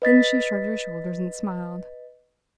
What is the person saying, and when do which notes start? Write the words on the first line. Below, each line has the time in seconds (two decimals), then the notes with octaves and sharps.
Then she shrugged her shoulders and smiled.
0.02 B4 D#5 A6 B6